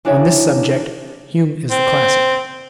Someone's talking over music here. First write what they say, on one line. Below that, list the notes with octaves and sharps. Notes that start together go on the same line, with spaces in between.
On this subject Hume is the classic.
E3 D4 D#4 F#4 C#5 E5
C4